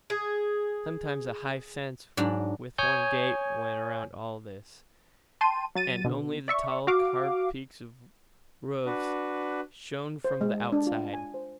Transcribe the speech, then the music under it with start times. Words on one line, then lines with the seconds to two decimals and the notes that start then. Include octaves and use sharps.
Sometimes a high fence with one gate went around all this, and only the tall, carved peaks of roofs showed from the outside.
0.10 G#4
2.17 G#2 F#3 D4
2.78 C#5 G#5 D#6 G6
5.41 G5 A5 C6 D#7
5.75 F#3 A6 D#7
6.04 B2 D3
6.48 D5 E5 C#6
6.87 F#4 F5 D6
8.86 D4 F#4 B4
10.25 C5
10.41 G#3
10.72 D4
10.87 F4
11.14 G#5
11.34 C5